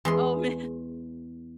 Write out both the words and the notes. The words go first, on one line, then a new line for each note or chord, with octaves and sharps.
Oh, man.
E2 G#3 C6